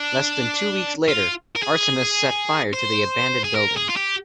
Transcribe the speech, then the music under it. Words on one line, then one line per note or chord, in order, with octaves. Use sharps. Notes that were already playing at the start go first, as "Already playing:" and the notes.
Less than two weeks later, arsonists set fire to the abandoned building.
Already playing: D4
F4
A#4
G#4
C5
G#4
A#4
G#4
F4
G4